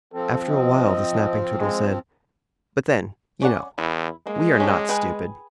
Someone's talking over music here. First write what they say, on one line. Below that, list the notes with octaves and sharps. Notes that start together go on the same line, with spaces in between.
After a while the Snapping Turtle said, "But then, you know, we are not stupid."
F3 C4 A4
D#5
G#3
C#4 D5 F#5
E2 E4
G#3 A#3
C#4 G4 A4
G#4 B4 G5